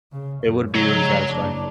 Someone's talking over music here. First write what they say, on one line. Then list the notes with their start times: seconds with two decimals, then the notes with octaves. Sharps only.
it would be really satisfying.
0.12 C#3
0.44 F#2
0.75 C#3 G#3 C#5 A#5
1.32 F#1 D4